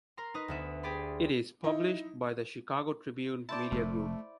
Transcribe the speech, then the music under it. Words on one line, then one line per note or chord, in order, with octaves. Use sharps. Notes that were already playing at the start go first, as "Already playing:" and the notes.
It is published by the "Chicago Tribune" Media Group.
A#4 A#5 C6
D#4 B4 D#5 F#6
D2 B3 E5
G4 G#4 D5 B5 C6
D#4 E4 D#5
E4 C5 D5 A5
F1 A3